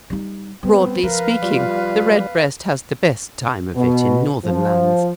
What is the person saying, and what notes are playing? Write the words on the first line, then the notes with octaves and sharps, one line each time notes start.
Broadly speaking, the redbreast has the best time of it in northern lands.
G3 D#4
G3 B3 C4
F3 A#4 B4 F5
G3 F4
B2
F3